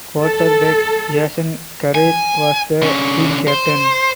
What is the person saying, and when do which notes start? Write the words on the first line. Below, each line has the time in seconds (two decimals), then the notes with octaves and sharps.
Quarterback Jason Garrett was the team captain.
0.20 A4
1.95 G#5
2.82 D3 C#4
3.48 C5